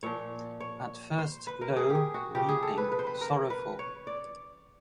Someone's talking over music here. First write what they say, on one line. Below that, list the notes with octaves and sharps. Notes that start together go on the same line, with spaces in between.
At first low, weeping, sorrowful.
A#2 F3 C#5
C#5
C5
B4
A#4
G#4
G4
G#4
F#4
C#3 F3 G4
G#4
A4
B4
B4
C5
B4
A#4
B4
C#5
D5